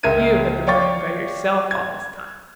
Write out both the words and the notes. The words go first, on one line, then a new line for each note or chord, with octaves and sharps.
You have been learning by yourself all this time.
C#2 A#4 E5 G#6 D#7
C#5 D5 F5 G5 C#6 A6
G#6